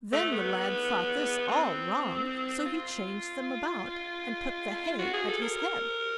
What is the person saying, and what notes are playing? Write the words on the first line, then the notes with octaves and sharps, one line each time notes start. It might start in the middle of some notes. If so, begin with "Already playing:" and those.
Then the lad thought this all wrong, so he changed them about, and put the hay at his head.
A3
B3
C4
F4
F#4
G#4
A4
A#4